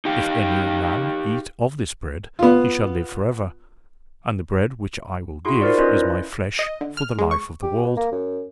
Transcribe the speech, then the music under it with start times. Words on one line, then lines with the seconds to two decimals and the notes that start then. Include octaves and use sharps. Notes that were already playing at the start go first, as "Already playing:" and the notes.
If any man eat of this bread, he shall live forever; and the bread which I will give is My flesh, for the life of the world....
0.05 D#4 G4 F5 G5
2.39 B3 F4
5.45 E4 F#4 G#4 C6 C#6
5.61 D#4 F4 A#4 C5 D5
5.78 C#4 F4 B4 D5 D#5
6.02 E4
6.59 D#5
6.81 D3
6.97 F6
7.19 G#3
7.31 C#6
7.63 G4
7.84 B2
7.97 A#3
8.12 F#2